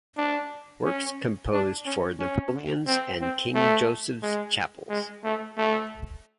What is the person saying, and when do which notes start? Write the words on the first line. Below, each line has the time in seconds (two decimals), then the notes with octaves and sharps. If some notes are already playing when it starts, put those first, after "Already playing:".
Works composed for Napoleon's and King Joseph's Chapels.
0.17 D4
0.85 C#4
1.52 D4
1.86 C#4
2.19 C#4
2.87 C4
3.21 C4
3.55 A3
4.22 G#3
4.89 G#3
5.24 A3
5.58 A3